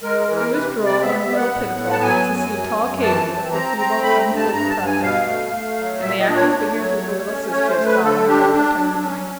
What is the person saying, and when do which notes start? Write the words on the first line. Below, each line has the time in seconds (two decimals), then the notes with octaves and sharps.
It was droll, and a little pitiful, to see tall Katy with her feeble, unsteady progress, and the active figures of the little sisters following her protectingly.
0.03 G#3 A#4
0.20 A#4
0.28 E3
0.36 A#4
0.52 C3 B4
0.78 C3
0.86 D5
1.02 B3 E5
1.20 E5
1.27 B3
1.36 F#5
1.53 A2
1.78 B3
1.91 A5
2.02 F#3 G#5
2.28 F#2
2.53 F#3
2.77 F#2
3.02 E3 A5
3.28 C4
3.52 C4 A#5
3.77 C4 A#5
4.03 A3 B5
4.19 A#5
4.28 G2
4.36 A5
4.52 G2 A#5
4.69 A5
4.77 G2
4.86 G#5
5.03 B2 F5
5.27 A3
5.52 A3
5.77 F#3
6.02 A#2 E5
6.20 D#5
6.28 D4
6.36 C#5
6.52 A3
6.77 F#3
7.03 A3
7.28 C#4
7.52 A3 C#5
7.69 C5
7.78 A3
7.86 B4
8.02 D3 A4
8.27 D4 G4
8.52 D4
8.77 F#3
9.03 C#4